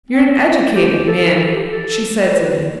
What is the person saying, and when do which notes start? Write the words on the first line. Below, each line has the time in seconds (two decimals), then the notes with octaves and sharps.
'You're an educated man,' she said to me.
0.11 C4
0.75 G4
1.08 A4
1.40 A4
1.56 G4
1.72 A4
2.25 C5
2.36 B4